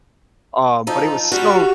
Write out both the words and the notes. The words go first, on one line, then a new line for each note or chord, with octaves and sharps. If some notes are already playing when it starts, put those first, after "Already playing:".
um, but it was so
F3 D#4 A4
G3 F#4